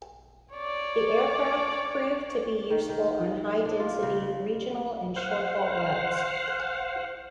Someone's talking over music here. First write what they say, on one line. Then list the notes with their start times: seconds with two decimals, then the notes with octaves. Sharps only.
The aircraft proved to be useful on "high density" regional and short-haul routes.
0.55 C#5 D5
2.70 D#3
2.89 D#3
3.65 D4
3.80 F4
4.02 C#3
5.16 C5 F5 F#5